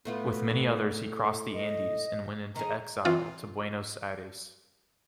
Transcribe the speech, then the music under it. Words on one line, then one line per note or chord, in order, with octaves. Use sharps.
With many others he crossed the Andes and went into exile to Buenos Aires.
A2 A3 B3 F4
D#5
D#3 G#4 A#5
E3 C4 F4